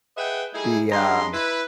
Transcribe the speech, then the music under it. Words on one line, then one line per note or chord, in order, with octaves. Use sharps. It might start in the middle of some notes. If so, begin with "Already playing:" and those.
be, um,
G#4 B4 D#5 E5 F#5 G5
G3 A3 D#4 E4 G#4
G2 F#3 G#3 A#5 C6
E4 B4